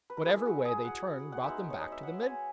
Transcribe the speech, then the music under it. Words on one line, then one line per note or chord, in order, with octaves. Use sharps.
Whatever way they turned brought them back to the middle.
B4
A#4
G#3 B3 E4 G#4
F#4
G#4
F#5
F#5
G#3 B3 D#4 E5
C#5
D#5
E5
F#5
G#5